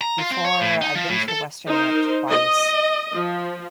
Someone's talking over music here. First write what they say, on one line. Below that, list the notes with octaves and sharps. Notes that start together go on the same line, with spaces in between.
Before, I've been to Western Europe twice,
A#5
F4
C4
C#5
A2
D#4
F3
A2
A4
D#4 A#4 C5
D#5
F3